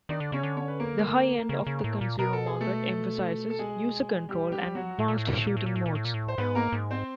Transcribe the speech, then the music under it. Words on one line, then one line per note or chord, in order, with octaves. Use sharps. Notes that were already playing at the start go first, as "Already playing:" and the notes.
The high end of the consumer market emphasizes user control and advanced shooting modes.
D#3 D4 D5
D3
C#3 C#4 C#5
D3
C#4 C#5
B4
A#3 A#4
C#3
C#3
A2
A#2
B2 A#4
A4
G#4
A3 A4
A4
G#3 G#4
G3 G4
G3 G4
F#3 F#4
A2
A#2
A2
A#2
A2
A#2
A2
A#2
A2
A#2
A2
A#2
A2
C5
G#2 B3 B4
A#3 A#4
G#2
C4 C5